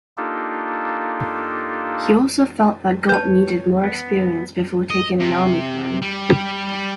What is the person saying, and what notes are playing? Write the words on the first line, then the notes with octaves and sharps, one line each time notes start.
He also felt that Gott needed more experience before taking an army command.
A#3 D4 D#4 F4 G4 A4
B4 C#5 A5 G6
B3
D#5
C3
G3